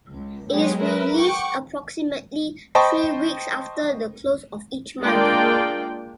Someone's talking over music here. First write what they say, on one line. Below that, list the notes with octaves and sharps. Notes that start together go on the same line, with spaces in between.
It is released approximately three weeks after the close of each month.
C#2
F#3 G#3 B3 G4 C#5
A#4 B4 E5
F#5 G5 C#6 D6
C5 D#5 G5 A5 B5 C#6
G#3 A#3 D4 F4 D5 G5